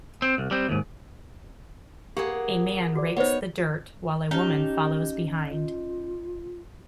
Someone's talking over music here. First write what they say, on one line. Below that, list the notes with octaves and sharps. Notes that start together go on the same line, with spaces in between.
A man rakes the dirt while a woman follows behind.
C4
C2
G3 C4
D#2 G#2
A#3 B3 G4 G#4 F#5
F#4 G#4 D5
B3 D#4 C5 C#5 D#5 F#5
C#4 D#4 G4 A5
F4